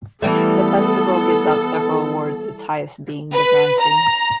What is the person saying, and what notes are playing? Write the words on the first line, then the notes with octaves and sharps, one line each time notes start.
The festival gives out several awards, its highest being the Grand Prix.
E3 G3 A3 B3 A4
B4
A#5